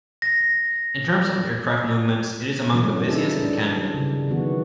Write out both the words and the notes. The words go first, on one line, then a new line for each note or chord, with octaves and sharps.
In terms of aircraft movements, it is among the busiest in Canada.
A#6
C3 E3 F#3 G3 A3 C#4
D#3 D#4 E4 G#4 A4
D4
C#3 G3
D#3 E3 F#3 B3 F#4